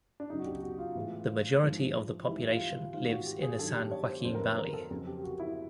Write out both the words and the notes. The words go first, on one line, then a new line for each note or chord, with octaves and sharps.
The majority of the population lives in the San Joaquin Valley.
D4
F#2 C#3 F#3 D#4
F#4
G4
F#4
F4
A2 E3 G#3
G#2 F3 G#3
G#2 E3 G3 E4
F4
F4
G#2 D#3 G3 F4
F#4
G4
G#4
G2 D#3 F#3 A4
G4
C#5
C5
F2 D3 F#3 C5
A#4
B4
A#4
A4
F2 C#3 F#3 G#4
G4
G4
F#4
E4